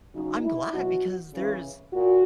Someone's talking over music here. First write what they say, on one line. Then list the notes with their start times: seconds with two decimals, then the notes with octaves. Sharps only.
I'm glad because there's
0.13 C#3 F#3 D#4
0.43 E4
0.72 B2 F#3 F#4
1.33 C#3 E3
1.92 A#2 F#4